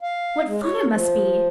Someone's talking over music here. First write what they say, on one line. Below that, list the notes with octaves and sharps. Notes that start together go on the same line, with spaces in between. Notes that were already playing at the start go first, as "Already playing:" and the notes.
"What fun it must be!"
F5
G#3
C#5
F3